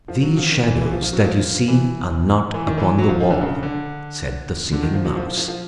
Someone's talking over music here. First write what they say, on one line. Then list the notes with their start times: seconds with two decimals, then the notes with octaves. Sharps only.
"These shadows that you see are not upon the wall," said the Singing Mouse.
0.08 F3
0.22 F#3
0.37 F3
0.52 D#3
0.67 E3
0.81 E3
0.91 F3
1.02 F3
1.13 F#3
1.25 F3
1.68 E3
2.54 E3
2.67 D#3
2.78 E3
2.98 F#3
3.09 F3
3.20 F3
3.30 D3
3.41 C#3
3.63 D3
4.72 D3
4.83 D#3
4.94 F3
5.05 F#3
5.16 F3
5.27 F3
5.37 F3
5.48 F3